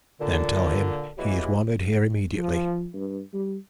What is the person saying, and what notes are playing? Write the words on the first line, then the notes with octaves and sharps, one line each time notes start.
"Then tell him he is wanted here immediately."
A#2 D3
B2 E3 F#3 G#3 A#3 G4
F3
G2
G3